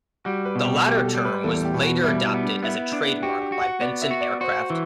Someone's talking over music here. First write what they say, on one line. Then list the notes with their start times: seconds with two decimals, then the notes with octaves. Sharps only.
The latter term was later adopted as a trademark by Bensen Aircraft.
0.25 G3 F#4
0.45 B4
0.55 B2
0.65 G4
0.85 G3 G4
1.05 A4
1.14 G3
1.25 B4
1.44 E2 A4
1.65 G4
1.74 B2
1.83 F#4
2.03 G3 E4
2.23 E4
2.34 B3
2.43 D4
2.63 B3 E4
2.93 D4
3.23 F#4 G4
3.41 G4
3.52 F#4
3.61 F#5
3.81 B3 D5
4.02 E5
4.11 F#4
4.21 D5
4.41 F#4 C5
4.70 E3